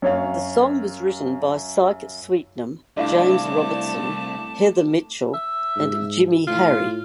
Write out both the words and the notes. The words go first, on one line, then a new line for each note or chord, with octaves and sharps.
The song was written by Syke Sweetnam, James Robertson, Heather Mitchell, and Jimmy Harry.
F#2 C#5 F5
C2 A3 D4 E4 F5 A5 D6
E5
G#2
A2 F4